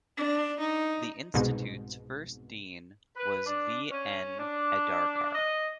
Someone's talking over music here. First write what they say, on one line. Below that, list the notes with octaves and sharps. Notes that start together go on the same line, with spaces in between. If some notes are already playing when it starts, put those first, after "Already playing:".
The Institute's first dean was V. N. Adarkar.
D4
D#4
C2 G#2 B2
B4
D4
C#4
D4
D#5